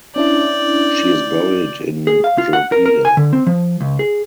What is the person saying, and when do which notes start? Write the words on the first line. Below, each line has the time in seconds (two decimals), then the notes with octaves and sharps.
She is buried in Drogheda.
0.16 C#4 D4 E4 D5 G5
2.07 G#4
2.24 F5
2.38 F4
2.53 F#5
2.72 A#4
2.86 A#4
3.05 G#5
3.17 D3
3.33 C4
3.47 F3
3.81 C#2
3.99 G#4